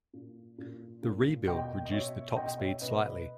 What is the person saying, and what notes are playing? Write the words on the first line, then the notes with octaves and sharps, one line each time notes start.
The rebuild reduced the top speed slightly.
A#2
A#2
A#2
B2 D#5 G5
D#5
B2 C#5 E5
B2 D#5 G5
C#5 E5
B2 B4 D#5
B4 D#5